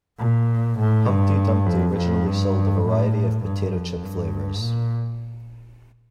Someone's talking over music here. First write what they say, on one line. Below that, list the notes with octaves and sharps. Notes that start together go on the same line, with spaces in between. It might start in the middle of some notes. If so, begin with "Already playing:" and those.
Humpty Dumpty originally sold a variety of potato chip flavours.
A#2
A2
G2
F2
F2
G2
A2
G2
F2
G2
A#2